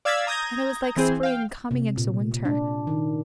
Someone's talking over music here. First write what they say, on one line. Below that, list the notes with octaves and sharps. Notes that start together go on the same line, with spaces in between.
And it was like spring coming into winter.
D5 F5 E6 G#6 A6 B6
A#5 D#6 G6 G#6 A#6
E3 C4 G#4 C5
F5 G5
C3
A#2
D4
D#3